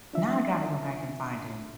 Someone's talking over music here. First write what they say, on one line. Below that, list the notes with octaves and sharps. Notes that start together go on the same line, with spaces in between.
Now I gotta go back and find it.
D4 F4 E5